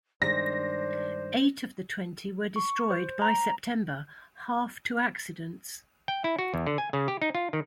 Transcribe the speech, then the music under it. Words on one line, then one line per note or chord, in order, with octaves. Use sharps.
Eight of the twenty were destroyed by September, half to accidents.
G2 D#3 G#3 D4 C5 A#6
C#6
C5
A#5
G5
E4
F#4
E2
D3
G#5
C#3
G4
D#4
F4
D#3